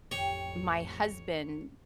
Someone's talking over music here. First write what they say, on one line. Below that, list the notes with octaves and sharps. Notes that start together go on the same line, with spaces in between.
my husband
A1 F2 G4 C#5